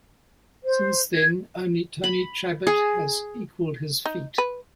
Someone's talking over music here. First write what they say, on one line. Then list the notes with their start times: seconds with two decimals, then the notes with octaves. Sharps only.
Since then, only Tony Trabert has equalled his feat.
0.65 C5
1.14 G#6
2.04 B5
2.67 G#4
4.06 D#4
4.38 B4